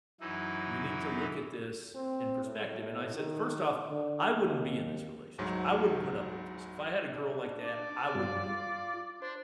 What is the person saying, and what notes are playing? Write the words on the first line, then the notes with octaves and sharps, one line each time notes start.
"You need to look at this in perspective," and I said, "First off, I wouldn't be in this relationship, I wouldn't put up with this, if I had a girl like that, I wouldn't do it,"
F#2 E3 D#4 E4
C4
A2
D#3
D3
D#2
D2 G#2 F#3
D4
D5
G2 G3 F4
F4
D4 C5